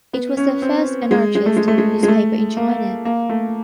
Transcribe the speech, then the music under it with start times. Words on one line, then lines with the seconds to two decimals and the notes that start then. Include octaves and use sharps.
It was the first anarchist newspaper in China.
0.13 B3
0.37 C#4
0.62 C4
1.11 G#3
1.35 G#3
1.46 A3
1.57 G#3
1.68 A3
1.78 G#3
2.03 G#3
2.08 A3
2.57 A#3
3.05 A#3
3.29 A3